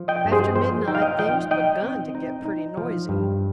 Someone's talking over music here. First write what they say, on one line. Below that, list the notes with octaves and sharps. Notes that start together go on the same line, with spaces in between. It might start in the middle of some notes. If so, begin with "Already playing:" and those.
After midnight things begun to get pretty noisy.
Already playing: F3
D#5 G5
G2
G#4 C5
F3 C5 D#5
D#4 G5
F5
D#5 G5
F3 D#5 G5
D#4 D#5 G5
C4
D#4
D#4
F3
G2